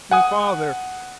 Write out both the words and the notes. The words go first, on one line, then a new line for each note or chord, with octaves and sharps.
Me father!
F#5 G#5 D#6